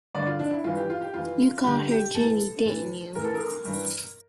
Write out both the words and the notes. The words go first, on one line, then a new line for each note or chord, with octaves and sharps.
You called her Jenny, didn't you?
G2 D3 D5
F4
D4
E4
G2 E3 F4
G4
F4
G4
F2 E3 F4
G2 D3 G4
G4
A2 E3 A4
A2 E3
A2 E3 A#4
A4
A#4
G2 E3